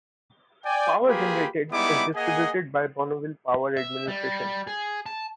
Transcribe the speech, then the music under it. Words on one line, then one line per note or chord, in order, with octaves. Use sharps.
Power generated is distributed by the Bonneville Power Administration.
D5 G5 G#5
A#3 F4 G4 G#4 B4 B5
G3 G#3 B3 D#4 E4 D6
A#3 G#4 D#5 F#5 G#5
E5
G3
G#4
A5